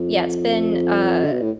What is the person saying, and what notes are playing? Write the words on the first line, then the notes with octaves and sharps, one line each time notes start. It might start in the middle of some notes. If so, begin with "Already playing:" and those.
yeah, it's been, uh
Already playing: F2
D3
B2
A2